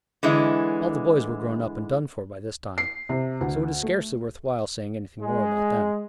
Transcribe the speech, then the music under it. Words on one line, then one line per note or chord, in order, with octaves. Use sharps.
All the boys were grown up and done for by this time; so it is scarcely worth while saying anything more about them.
D3 E3 G#3 E4
C7
C3
D2
A3
G#3